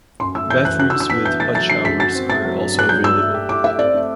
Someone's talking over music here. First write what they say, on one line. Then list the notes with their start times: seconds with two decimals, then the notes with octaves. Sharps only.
Bathrooms with hot showers are also available.
0.20 F#2 C6
0.35 A3 E6
0.50 E3 G6
0.65 F#2 F#6
0.80 F#4 F#6
0.90 E6
0.95 D4
1.00 E6
1.10 B3 B6
1.25 E3 G6
1.40 A3 A6
1.55 F#3 A6
1.70 D3 C7
1.85 F#2 B6
2.00 F#4 A6
2.15 C4
2.30 A3 A6
2.44 F#3
2.60 G2
2.74 B3 F#6
2.89 F#3 G6
3.04 G2 E6
3.19 A3
3.34 G4
3.49 E4 D6
3.64 A3 E5
3.79 C4 D5
3.94 A3